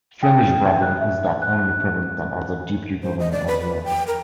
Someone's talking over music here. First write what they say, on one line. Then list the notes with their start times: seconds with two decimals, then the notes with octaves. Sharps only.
Flemish Brabant is that only province that has a Deputy Governor as well.
0.23 G5
0.82 F#6
1.01 E5
1.42 F#6
3.03 C5
3.20 D#5
3.32 D5
3.47 B4
3.59 B4
3.84 G5
4.07 A#4